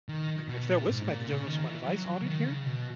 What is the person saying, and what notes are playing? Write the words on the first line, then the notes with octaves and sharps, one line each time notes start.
mean, if they'll listen, I can give them some advice on it here.
D#3
B2
A#2
G#2
A#2
C#3
D#3
E3
F#3
F#3
C#3
D#3
C#3
B2